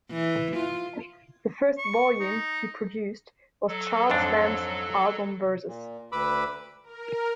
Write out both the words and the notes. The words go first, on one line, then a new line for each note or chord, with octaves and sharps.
The first volume he produced was Charles Lamb's "Album Verses".
E3
F4
C#6
D#4
F#3 A4
F2 G#2 D4
A#2
D2 B4 B5 D6 E6
A#4